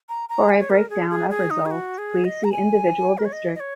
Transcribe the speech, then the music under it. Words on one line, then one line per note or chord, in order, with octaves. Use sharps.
For a breakdown of results, please see individual districts.
A#5
A#5
G#5
C#5
A#4
G#4
G#4
G#4
D#4
G#4
F#4
G#4
D#5
A#5
G#5
A#4
C#5
D#5
D#5
C#5